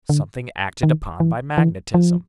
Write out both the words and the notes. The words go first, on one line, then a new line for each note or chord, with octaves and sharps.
Something acted upon by magnetism.
D3
D#3
E3
E3
F3